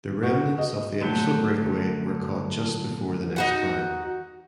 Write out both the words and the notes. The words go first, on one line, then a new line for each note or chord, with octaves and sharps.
The remnants of the initial breakaway were caught just before the next climb.
F#4
D#5
D3 F#3 A3 G5
D#4 F#4 F#5